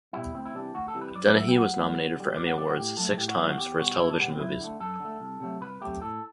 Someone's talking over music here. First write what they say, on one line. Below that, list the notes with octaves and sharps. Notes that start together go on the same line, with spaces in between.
Dennehy was nominated for Emmy Awards six times for his television movies.
B2 G3 E4
D2 C4
E4
C3 E3 G3 D4
D2 F#4
A4
C3 E3 G3
B4
F#2 D5
D5
F#3 A3 E5
G5
F#2 F#5
F#3 A3
E2
D3 G3
E2 D5
F#5
D3 G3 D5
F#4
A2 G4
F#3 A3 A4
A2 G4
F#4
F#3 A3 E4
F#4
E2 G4
B2 G3 F#4
E2 E4
D4
B2 G3 B3
C4
F#2 E4
D3 A3
F#2 A4
D3 A3
C2
C3 F#3 A3
C2 B4
C3 F#3 A3 G4
A2 A4